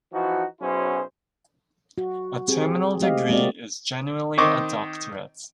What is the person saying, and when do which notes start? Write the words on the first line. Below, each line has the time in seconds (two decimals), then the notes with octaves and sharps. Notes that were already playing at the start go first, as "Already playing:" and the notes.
A terminal degree is generally a doctorate.
0.12 E3 F3 D#4 F#4
0.61 B1 F#3 C#4 E4 G#4 C5
1.98 F#4
2.48 C4 G4 G#4
3.00 G#3 A3 C4 G4 D#5 F5
3.30 G#3 A#3 C4 F#4 D5 D#5
4.38 D#3 C4 D#5 C#6 D6